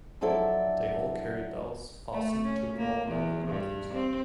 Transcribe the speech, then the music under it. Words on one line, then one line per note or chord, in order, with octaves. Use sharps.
They all carry bells fastened to broad leather girdles.
F3 F#3 D4 E4 A4 D5
A3
C#4
A#3
E2
G2
C4